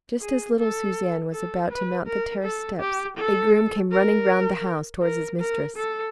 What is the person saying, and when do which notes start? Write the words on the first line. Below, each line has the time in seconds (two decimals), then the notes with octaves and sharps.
Just as little Suzanne was about to mount the terrace steps, a groom came running round the house towards his mistress.
0.21 G#4
0.59 A4
1.33 A4
1.69 B4
2.07 A#4
2.43 A4
2.80 G4
3.17 A4
3.92 A#4
5.02 A#4
5.40 A#4
5.76 A4